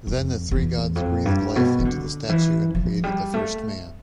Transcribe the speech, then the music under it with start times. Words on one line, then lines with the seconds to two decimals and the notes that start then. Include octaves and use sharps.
Then the three Gods breathed life into the statue and created the first man.
0.07 F2
0.51 E2
0.96 F2
1.25 G2
1.56 B2
1.79 E3
1.85 D3
2.29 E3
2.75 F3
3.04 G3
3.34 A3